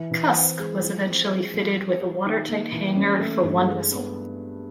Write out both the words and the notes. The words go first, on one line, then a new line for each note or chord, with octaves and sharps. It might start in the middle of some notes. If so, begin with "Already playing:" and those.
"Cusk" was eventually fitted with a watertight hangar for one missile.
Already playing: E3
E3
C4
G#3
F3
C4
G#3
F3
G3
G3
D#3
A#3
E3
C#4
A3
G2
G#3
B3